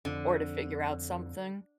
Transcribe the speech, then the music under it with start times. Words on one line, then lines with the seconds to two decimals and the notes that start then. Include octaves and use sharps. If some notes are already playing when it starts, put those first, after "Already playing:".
or to figure out something,
0.05 F2 D3